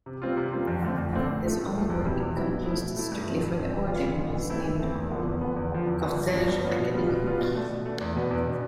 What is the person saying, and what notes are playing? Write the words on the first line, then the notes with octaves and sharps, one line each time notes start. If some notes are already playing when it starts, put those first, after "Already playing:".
His only work composed strictly for the organ was named "Cortege academique".
C3
G3 C4 F4
C3
G3 C4 F4
F2
D3 A3 C4
F2
D3 A3 C4
A2
F3 A3
A2
F3 A3
E2
B2 G3 C4 E4
E2
B2 G3 C4 E4
B2
A3 E4
B2
A3 E4
G2
F3 C4
G2
F3 C4
E3
B3 F4
E3
B3 F4
E3
A3 C4 E4
E3
A3 C4 E4
E2
D3 F3 B3
E2
D3 F3 B3
E2
D3 F3
E2
D3 F3
G2
F3 B3 D4 F4
G2
F3 B3 D4 F4
B2
G3 B3 F4
B2
G3 B3 F4
B2
A3 D4
B2
A3 D4
E2
B2 B3 D4
E2
B2 B3 D4